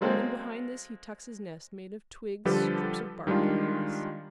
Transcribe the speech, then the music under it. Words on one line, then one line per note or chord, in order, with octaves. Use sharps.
In behind this he tucks his nest made of twigs, strips of bark and moss.
F#3 G#3 A#3 C4 A4 C5
D3 F3 G3 G4 A4 B4
D#3 G3 G#3 D4 F4